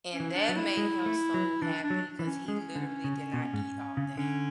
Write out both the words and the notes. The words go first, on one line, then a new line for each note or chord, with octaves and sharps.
and that made him so happy 'cause he literally did not eat all day.
C#4
E3
D4
F#3
E4
G#3
A3
F#3
E3 D4
D4
F#3
E3
C#4
G#3 C#4
D3
C#3
B2
G#2
C#3
D3 C#4